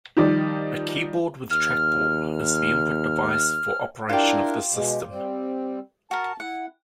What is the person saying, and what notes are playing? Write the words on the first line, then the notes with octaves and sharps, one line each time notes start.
A keyboard with trackball is the input device for operation of this system.
D#3 F3 G3 D#4 D5
D#2 F6
D4 E4 F4 G4 A#4
B2 G#3
G3 C4
F#4 A#4 A5
E4 F#5